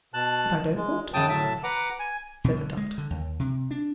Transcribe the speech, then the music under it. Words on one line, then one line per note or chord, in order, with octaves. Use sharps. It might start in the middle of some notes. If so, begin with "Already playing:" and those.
"But I don't want any money," said the Doctor.
B2 A5 F#6
G#3
F#2 C#3 F#3 G5 A5 D#6
A2 F#3 E5 A5
B4 F#5 A#5 D6
G#5
B2
D3
G#3
D3
D#2
C3
D4